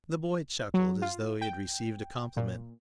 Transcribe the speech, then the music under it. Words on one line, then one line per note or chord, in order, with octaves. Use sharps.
The boy chuckled as though he had received a compliment.
F#3
F4
G5
A#2